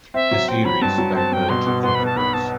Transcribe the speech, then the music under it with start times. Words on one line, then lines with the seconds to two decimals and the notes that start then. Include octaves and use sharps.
The series diverged from the books.
0.14 C4 E5
0.31 F#3
0.48 C4 G5
0.65 F#3 B5
0.82 G2 A5
0.98 F#3
1.15 C4 A5
1.32 G2 G5
1.49 B2 C6
1.67 B2
1.83 B3 C6
1.95 B5
2.00 B3
2.06 A5
2.16 B1 B5
2.34 B3 A5